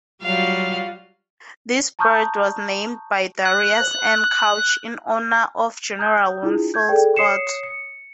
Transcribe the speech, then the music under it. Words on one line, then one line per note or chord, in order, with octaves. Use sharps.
This bird was named by Darius N. Couch in honor of General Winfield Scott.
F#3 G3 F4 F#4 F5
A5 A#5 C#6 D#6 F6 G6
F#6
A#5 D#6 G6
D4 E4 F4 G#4
G6 G#6
G#4 A4 D5 G5
C#5 D#6 C7 C#7 E7
C#7